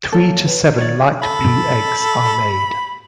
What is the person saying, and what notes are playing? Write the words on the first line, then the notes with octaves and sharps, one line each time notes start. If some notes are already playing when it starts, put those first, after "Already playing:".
Three to seven light blue eggs are laid.
F#3 A#3 A4
B4 C#5 G5
D#3
C#5 D5
A4 B5